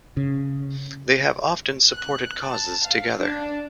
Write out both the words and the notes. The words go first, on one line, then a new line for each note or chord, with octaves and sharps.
They have often supported causes together.
C#3
F#6
A5
F5
D4